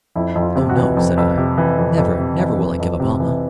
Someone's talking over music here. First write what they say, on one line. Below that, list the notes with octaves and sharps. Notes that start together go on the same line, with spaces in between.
"Oh no," said I. "Never, never will I give up Almah!"
F2 E4
F2
F4
C3
F#4
E3
F2
F2
C3
E3
F2
F2
C3
E3
F2
F2
C3
E3